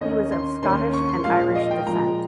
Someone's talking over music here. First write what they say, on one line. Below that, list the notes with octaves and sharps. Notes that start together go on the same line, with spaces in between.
He was of Scottish and Irish descent.
D#2 D#3 A#3 C#4 D#5
C6
D#2 D#3 A#3 C#4 C6
C#6
C6
A#2 F3 G#3 F5
F5
D#5
G5
A#2 F3 G#3 A#5